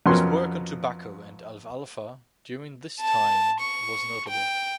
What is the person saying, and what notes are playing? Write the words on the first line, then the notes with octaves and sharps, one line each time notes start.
His work on tobacco and alfalfa during this time was notable.
F2 F#3 B3 C#4 A#4 C6
A5
C#6
G5